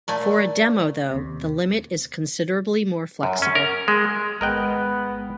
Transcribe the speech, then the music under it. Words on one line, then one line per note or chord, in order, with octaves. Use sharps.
For a demo, though, the limit is considerably more flexible.
A#2 A3 G#5
D#2 C3
F#2
C#4
A#4
G#3
G#1 G#3 B3 A#4 D#5 G5 F#6